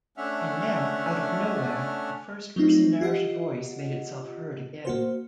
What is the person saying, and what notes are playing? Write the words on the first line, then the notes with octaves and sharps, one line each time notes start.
And then, out of nowhere, the first-person narrative voice made itself heard again.
A3 C#4 D4 E5 F#5 F6
F#3 A3 C4 D#4 F4
F4 G4 D#5 F#5
A#3 F#4 C5